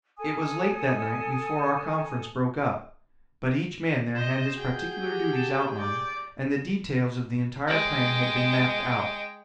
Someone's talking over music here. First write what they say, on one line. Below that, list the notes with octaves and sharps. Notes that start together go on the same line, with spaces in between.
It was late that night before our conference broke up, but each man there had his particular duties outlined, and the details of the entire plan had been mapped out.
A4 G#5 D#6
C5 D#5 E7
F#4 G#4 G5 G6
G4
A5
D5 G6
G#3 G5